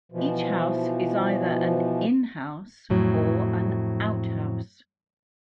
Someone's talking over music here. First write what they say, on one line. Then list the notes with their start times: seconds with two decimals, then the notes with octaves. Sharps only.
Each house is either an 'in-house' or an 'out-house'.
0.12 B2 E3 F3
2.90 F2 A2 F#3